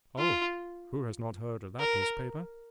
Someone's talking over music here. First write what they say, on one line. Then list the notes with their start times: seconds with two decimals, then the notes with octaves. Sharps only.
"Oh--who has not heard of that newspaper?"
0.18 F4
1.80 A#4